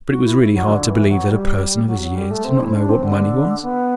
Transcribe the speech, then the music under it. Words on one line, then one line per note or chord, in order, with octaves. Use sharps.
But it was really hard to believe that a person of his years did not know what money was.
F#4
E4
F#3
D3
E3
F#3
G3
F#3
F#3
G3
A3
C4
E4
D4
C4
D3
B3